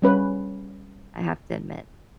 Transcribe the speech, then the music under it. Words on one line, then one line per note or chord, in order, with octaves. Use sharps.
I have to admit.
G3 C#4 B4